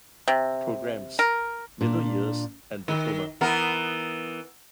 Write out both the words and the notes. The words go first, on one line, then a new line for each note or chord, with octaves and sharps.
Programmes: Middle Years and Diploma.
C3
A#4
A#2 D4
D#3
E3 B3 A#4